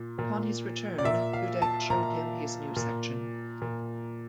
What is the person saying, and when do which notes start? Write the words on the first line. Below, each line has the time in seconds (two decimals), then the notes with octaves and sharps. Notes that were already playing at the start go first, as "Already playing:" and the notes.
Upon his return, Dudek showed him his new section.
Already playing: A#2
0.19 A#2
0.98 D5
1.04 A#2 E5
1.33 F5
1.62 A5
1.90 A#2 A#5
2.76 A#2
3.62 A#2